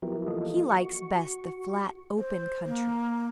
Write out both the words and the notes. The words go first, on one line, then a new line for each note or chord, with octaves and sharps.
He likes best the flat, open country.
F3 F#3 B3 E4 G4 A#4
E3 F3 A#3 F4 A4 D#5
F#4 C#6
C5
A#3